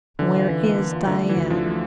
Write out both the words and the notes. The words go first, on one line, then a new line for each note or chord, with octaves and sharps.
Where is Diane?...
D3 E3
F4
E3
A#3
E3
F4
D3 A3
F3
E3
D2
D3 F3
A3